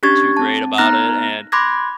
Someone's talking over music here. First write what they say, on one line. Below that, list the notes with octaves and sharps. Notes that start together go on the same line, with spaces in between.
too great about it, and
C#4 D4 G4 C#6 G#6 A6
C4 A5
B3 D#4 A#5 F6 F#6 A#6
B5 C6 D6 F#6 G#6 A#6